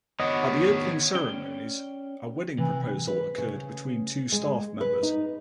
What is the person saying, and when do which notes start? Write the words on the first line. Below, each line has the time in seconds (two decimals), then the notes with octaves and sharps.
At the opening ceremonies a wedding proposal occurred between two staff members.
0.20 D#3 B3 D4 F#4 C#5 D#5
1.15 C#4 D5 G5
2.58 C3 E3
3.07 B4
3.38 C#3
4.32 G#3
4.81 B4
5.03 D#4